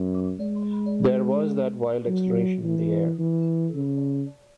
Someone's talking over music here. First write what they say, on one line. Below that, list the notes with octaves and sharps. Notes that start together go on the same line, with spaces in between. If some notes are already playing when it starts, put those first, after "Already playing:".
There was that wild exhilaration in the air.
Already playing: F#2
G#3
F#3
E3
E3
C#3